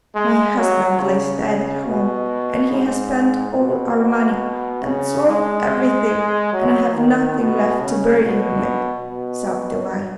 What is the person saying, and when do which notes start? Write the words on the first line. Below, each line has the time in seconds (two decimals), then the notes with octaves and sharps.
'My husband lies dead at home, and he has spent all our money, and sold everything, and I have nothing left to bury him with,' sobbed the wife.
0.15 G#3
0.57 F#3
1.01 C#3
1.86 B2
2.71 G#2
3.56 B2
4.84 C#3
5.26 G#3
6.53 F#3
6.95 D#3
7.39 B2
7.81 C#3
8.23 B2
9.09 B2